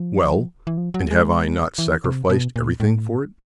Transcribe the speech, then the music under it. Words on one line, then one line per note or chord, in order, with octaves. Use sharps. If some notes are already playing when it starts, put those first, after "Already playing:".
"Well, and have I not sacrificed everything for it?"
Already playing: F3
E3
F3
F#3
G#3
E3
C3
B2
A#2
A2